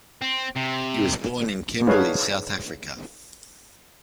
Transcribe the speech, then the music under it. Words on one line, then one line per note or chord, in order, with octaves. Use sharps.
He was born in Kimberley, South Africa.
C4
C3
D4 D#4 G#4 B4 C#5 F5